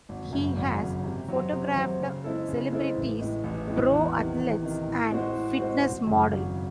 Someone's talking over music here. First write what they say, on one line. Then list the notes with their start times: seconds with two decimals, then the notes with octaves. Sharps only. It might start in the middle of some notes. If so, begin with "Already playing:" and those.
He has photographed celebrities, pro athletes and fitness model.
0.09 G#1
0.33 F#2 C#3
0.57 G#1
0.81 F#2 C#3
1.04 C3
1.28 F#3 C4
1.52 C3
1.76 F#3 C4
2.00 C#3
2.24 G#3 C4 E4 A4
2.48 C#3
2.72 G#3 C4 E4 A4
2.96 A1
3.19 A2 G#3
3.44 A1
3.68 A2 G#3
3.91 E2
4.15 C3 D#3
4.39 E2
4.63 C3 D#3
4.87 A2
5.11 G#3 C4 F#4 C5
5.35 A2
5.59 G#3 C4 F#4 C5
5.83 G#1
6.07 F#2 C#3
6.31 G#1
6.55 C#3